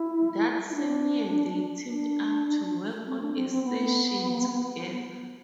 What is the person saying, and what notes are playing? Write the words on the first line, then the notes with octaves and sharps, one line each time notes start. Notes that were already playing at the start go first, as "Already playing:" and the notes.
That same year they teamed up to work on a session together.
Already playing: E4
E4
D4
D4
C4
D4
C4
C4
B3